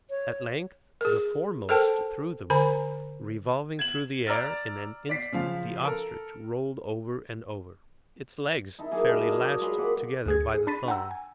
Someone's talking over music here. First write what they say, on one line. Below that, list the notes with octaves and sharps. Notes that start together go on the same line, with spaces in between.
At length the foremost threw them, revolving through the air: in an instant the ostrich rolled over and over, its legs fairly lashed together by the thong.
C#5
G#4 A#4
A4 A#4 C5 G5 A5
D3 C5 G#5 A#5 B5
G#6 E7 F#7
D5 A#5 E6 F6 A6
D5 B6 C7
C#3 F3 F5
A4 A#4
D#4 E4 A5
F#3 A#3 G#4
D4 A#4 B4 D#5
A#4 D#5
F4 G#4 B4 C#5
A#3 F#5 B5 D6
D2 G#4 G#6
C#7
G#4
D4 B5 C6 A6 B6 D#7
F#5 G5 A#5 E6
G#5